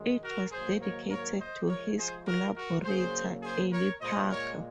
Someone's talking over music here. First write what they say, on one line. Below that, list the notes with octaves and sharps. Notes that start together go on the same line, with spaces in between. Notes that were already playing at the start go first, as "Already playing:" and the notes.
It was dedicated to his collaborator, Ely Parker.
Already playing: F#2 D#3 G#3
F#4 A#4
G#2 D#3 F#3 A#3 G#4 C5
A#4 C#5
A#4 C#5
C5 D#5
C3 F3 G#3 A#4 C#5
G#4 C5
F#4 A#4
F#4 A#4
C#3 F#3 A#3 G#4 C5
G#4 C5
A#4 C#5
A#2 G#3 C5 D#5
A#4 C#5